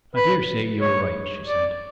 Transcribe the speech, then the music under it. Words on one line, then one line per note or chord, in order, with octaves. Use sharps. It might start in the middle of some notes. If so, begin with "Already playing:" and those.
"I daresay you are right," she said.
B4
C#5
D5